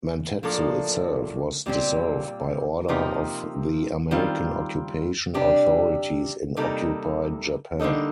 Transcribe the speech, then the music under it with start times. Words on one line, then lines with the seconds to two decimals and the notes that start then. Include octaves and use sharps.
"Mantetsu" itself was dissolved by order of the American occupation authorities in occupied Japan.
0.43 A2 F3 A#3 D4 A4
1.66 A#2 G3 C4 G4
2.88 C3 F3 A#3 D#4 G4
4.11 D#3 G3 C4 F4
5.34 C3 G3 D4 G4
6.57 C3 G3 A#3 D#4 A4
7.79 D3 G3 A#3 D#4 A4